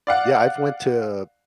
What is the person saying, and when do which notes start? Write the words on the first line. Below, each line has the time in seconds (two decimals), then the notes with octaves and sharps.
Yeah, I've went to
0.07 D5 F5 F#5